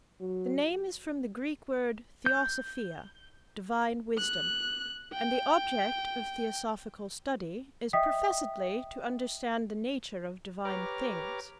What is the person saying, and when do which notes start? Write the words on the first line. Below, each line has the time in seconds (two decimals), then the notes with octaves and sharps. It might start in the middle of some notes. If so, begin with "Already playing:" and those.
The name is from the Greek word theosophia--divine wisdom--and the object of theosophical study is professedly to understand the nature of divine things.
0.20 F#3
2.26 G6
4.18 F#6
5.14 G5
7.93 D#5 E5 G5 D#6 B6
10.65 G4 B4 C#5 A#5 D6 F6